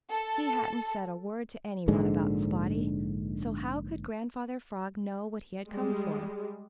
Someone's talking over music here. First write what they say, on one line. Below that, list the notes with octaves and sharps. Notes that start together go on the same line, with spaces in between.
He hadn't said a word to any one about Spotty, so how could Grandfather Frog know what he had come for?
A4
A#1 G#2 D3 G#3
G3 G#3